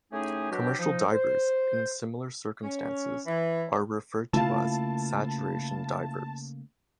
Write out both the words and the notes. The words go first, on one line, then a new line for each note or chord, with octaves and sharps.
Commercial Divers in similar circumstances are referred to as Saturation Divers.
A2 A3 C#4 D#4 G4 G#4
B2 F#3 D4 F#4 G4
F3 D#4
C5
C#4
E3
C#3 A3 A#3 E4 F4 F5 A5